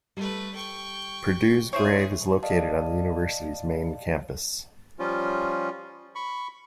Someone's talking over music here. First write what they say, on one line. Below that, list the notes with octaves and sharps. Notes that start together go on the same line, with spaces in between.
Purdue's grave is located on the university's main campus.
G3 A3 B4
G5 C#6
E4 G#4 C5 C#5
D5 D#5 F5 A5
F3 G3 C#4 F4
B5 C#6